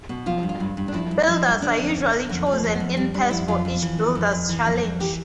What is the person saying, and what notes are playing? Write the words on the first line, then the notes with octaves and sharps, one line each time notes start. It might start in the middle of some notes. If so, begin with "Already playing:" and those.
Builders are usually chosen in pairs for each Builder's Challenge.
B2
F3 F4
G2
F4
G2
G2
D4
F3 E4
G2
F3 E4
G2
D3 D4
F2
C4
D3
D4
D3
F2 B3
F3
A3
F2
B3
F2
G3 C4
G3 D4
F2 E4
F2 F4
F2
E3
F2
F2
F2
E3
F2
F2
E3 G4